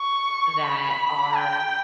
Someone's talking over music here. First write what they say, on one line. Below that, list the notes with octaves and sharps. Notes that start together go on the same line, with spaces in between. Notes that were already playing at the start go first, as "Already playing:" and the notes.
that are
Already playing: C#6
B5
G5